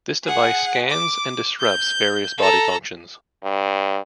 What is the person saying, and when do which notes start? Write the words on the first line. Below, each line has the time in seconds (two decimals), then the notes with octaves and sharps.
This device scans and disrupts various body functions.
0.24 G#4 F#5
0.90 D6
1.60 G6
2.38 A4 A#5
3.44 G2